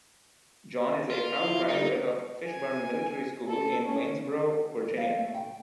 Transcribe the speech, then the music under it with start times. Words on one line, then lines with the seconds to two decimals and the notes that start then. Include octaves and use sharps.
John is a proud graduate of Fishburne Military School in Waynesboro, Virginia.
1.10 A#3 F4
1.39 F3 E4
1.68 D3 G3 D#4
2.47 G#5
3.47 A4
3.84 C#4
4.97 F5
5.19 A3
5.34 G5